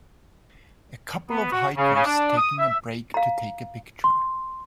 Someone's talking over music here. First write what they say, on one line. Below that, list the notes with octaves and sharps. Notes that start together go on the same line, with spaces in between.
A couple of hikers taking a break to take a picture.
B3
F#4
C#3
C#3
D4
D#6
E5
F5 A#5
C6